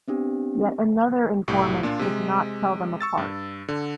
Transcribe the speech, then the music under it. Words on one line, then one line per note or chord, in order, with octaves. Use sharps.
Yet another informant could not tell them apart.
B3 C4 D4 G4
C2 A2 G4
A#2 D4 F4
C3 G#3
C#6 E6 A6
G2
D3